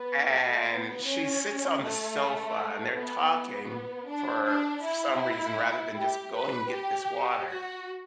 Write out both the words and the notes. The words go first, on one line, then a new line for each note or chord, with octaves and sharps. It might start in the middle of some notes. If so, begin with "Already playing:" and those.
and she sits on the sofa and they're talking for some reason rather than just going and get this water
Already playing: B3
A3
B3
C#4
A3
B3
B3
D4
D4
E4
G4
B4
G4
F#4